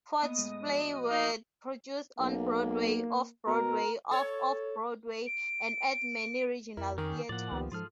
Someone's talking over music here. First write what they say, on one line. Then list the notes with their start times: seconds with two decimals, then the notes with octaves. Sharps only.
Foote's plays were produced on Broadway, Off-Broadway, Off-Off-Broadway and at many regional theatres.
0.22 A#3 B3 D#5
0.38 A2 G#3
0.64 F3 F#4
1.11 D#4
2.19 B1 A#3
3.47 B2 A#4
4.11 A4 C#5
5.27 D7
6.77 F2 E4 A#4
6.98 D#3 C#4 G4 G#4 A#4
7.29 A2 F3 A#3 D5 F#5
7.52 C#2 D#3 B3 G4
7.72 G#2 F3 F4 G#4 A4 F6